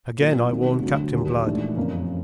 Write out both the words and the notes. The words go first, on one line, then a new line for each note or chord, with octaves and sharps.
Again I warn Captain Blood.
A#2 F#3 A#3 D4 F4
C2 C3 D#3 G3 C4
D2 D3 F#3 A3
D#2 D#3 F#3
A#1 G#2 E3 A3 D4
F#1 F2 C#3 F3 A#3